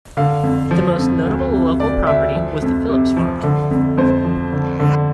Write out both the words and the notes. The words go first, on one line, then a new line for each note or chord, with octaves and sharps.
The most notable local property was the Phillips Farm.
D3 F5
F2
F3
F2
D2
C3
D2 D5
D2 E5
F3
F2
C3
F3
D3
F2
F2 C5
F3
D3
D3